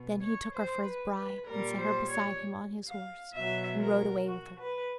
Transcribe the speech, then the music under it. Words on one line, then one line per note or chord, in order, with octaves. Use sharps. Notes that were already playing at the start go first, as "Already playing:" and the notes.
Then he took her for his bride, and set her beside him on his horse and rode away with her.
Already playing: B2
C#5
C5
B4
B4
A#2 G3 A#4
C5
C#5
F5
B2 F#3 E5
A#4
F#4
B4